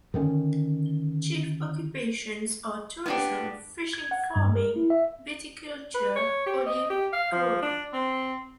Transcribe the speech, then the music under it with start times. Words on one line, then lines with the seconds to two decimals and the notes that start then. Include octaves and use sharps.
Chief occupations aretourism, fishing farming, viticulture, olive growing.
0.14 D3 D#3 B3 C#4
3.06 B3 D4 G4
3.93 G#6
4.11 F#5
4.24 G#6
4.36 G2
4.56 A#4
4.76 E4
4.90 E5
5.94 B4
6.15 C#5
6.46 G4
6.66 D#5
6.90 G4
7.13 F5
7.32 F3
7.62 D4
7.93 C4